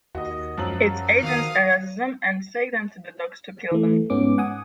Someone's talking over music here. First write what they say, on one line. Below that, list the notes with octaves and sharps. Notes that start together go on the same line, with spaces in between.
Its agents arrest them and take them to the docks to kill them.
D#2 F#4 D#5
F#2 F3 F#3 F#7
D#3 F5 D#6
E3 A3
G#2 B3 C#4 D6
F#5 G#5 D#6